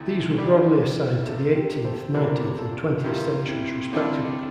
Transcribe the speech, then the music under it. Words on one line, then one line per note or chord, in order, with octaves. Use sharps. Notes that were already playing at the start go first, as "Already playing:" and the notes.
These were broadly assigned to the eighteenth, nineteenth and twentieth centuries respectively.
Already playing: D2 C3 E3 A3
E3 G3 D4 G4
C3 F3 A3 F4 A4
G4 A#4
A4 C5
E2 C3 G3 A#3 D4 G4 A#4
F4 A4
G2 F3 A#3 E4 F4 G4
C4 E4
D3 G3 C4 D4 E4 F4 A4